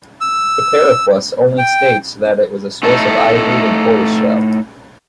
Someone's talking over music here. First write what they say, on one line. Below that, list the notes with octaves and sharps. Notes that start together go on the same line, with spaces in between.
The "Periplus" only states that it was a source of ivory and tortoise shell.
E6
G5
A2 A3 D#4 A4